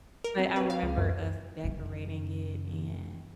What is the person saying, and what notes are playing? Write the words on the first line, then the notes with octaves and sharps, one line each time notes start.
but I remember us decorating it, and,
A#4
C4
B4
F5
C#2
F#2
F#2 C#3